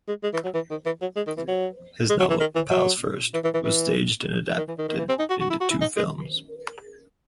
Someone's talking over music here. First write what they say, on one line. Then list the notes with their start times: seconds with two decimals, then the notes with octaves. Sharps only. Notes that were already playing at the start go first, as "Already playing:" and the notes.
His novel "Pals First" was staged and adapted into two films.
0.08 G#3
0.24 G#3
0.34 E3
0.44 F#3
0.54 E3
0.70 D#3
0.86 E3
1.02 F#3
1.17 G#3
1.27 D#3
1.37 E3
1.48 F#3
2.10 G#3
2.20 F#3
2.30 E3
2.40 D#3
2.55 E3
2.71 F#3
3.34 E3
3.44 E3
3.54 E3
3.64 E3
4.57 D#3
4.68 E3
4.79 D#3
4.89 D#3
4.98 E3
5.09 C4
5.19 D#4
5.30 F#4
5.41 F#4
5.50 E4
5.61 F#4
5.70 E4
5.81 D#4
5.97 G#3